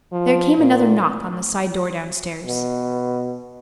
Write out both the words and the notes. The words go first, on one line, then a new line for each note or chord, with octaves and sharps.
There came another knock on the side door downstairs.
F3
A#2
B2